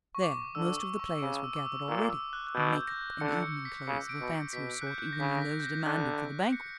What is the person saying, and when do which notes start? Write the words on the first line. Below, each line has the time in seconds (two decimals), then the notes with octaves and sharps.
There most of the players were gathered already--in make-up and evening clothes of a fancier sort even than those demanded for the banquet.
0.15 C#6
0.22 D6
0.55 D3 E6
0.78 D6
0.99 C#6
1.22 C#3
1.44 E6
1.56 D6
1.66 E6
1.88 A#2 E6
2.04 D6
2.10 E6
2.33 F#6
2.47 F#6
2.54 B2 G6
2.82 G6
2.87 A#6
3.20 D3 C#7
3.43 C#7
3.65 B6
3.87 C#3 C#7
4.09 D7
4.20 B2
4.31 C#7
4.53 B2 B6
4.82 F#6
4.87 G6
4.98 F#6
5.06 G6
5.13 A#6
5.20 C#3 B6
5.38 A#6
5.42 B6
5.60 G6
5.64 A#6
5.86 D3 F#6
6.53 C#7